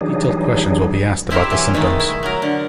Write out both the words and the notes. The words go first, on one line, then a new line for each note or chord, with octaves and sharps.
Detailed questions will be asked about the symptoms.
E3 F#3 G3 D4 D#4 G#4
C4 E4 G4 A#4 C5
E3 F#3
B2 D#3 G#3 A3
E4
F#3 A#4
D3